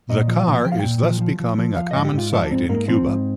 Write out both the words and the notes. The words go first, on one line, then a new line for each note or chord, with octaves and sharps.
The car is thus becoming a common sight in Cuba.
A#2 D#5
F3
F5
A#2
F3 G5
F5
A#2 G5
F3
F3
F3
F3
F3 F5
G#2 D#5
G4
G#2 F4
F3 D4
G#2 C4
G#2 A#3
F3 C4
G#2